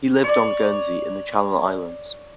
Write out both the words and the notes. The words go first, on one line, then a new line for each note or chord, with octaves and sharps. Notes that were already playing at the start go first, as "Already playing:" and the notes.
He lived on Guernsey in the Channel Islands.
C#5 D5